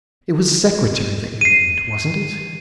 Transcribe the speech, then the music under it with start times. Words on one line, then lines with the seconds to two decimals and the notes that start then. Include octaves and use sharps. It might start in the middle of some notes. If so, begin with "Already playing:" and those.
'It was Secretary that you named; wasn't it?'
1.41 C7 D#7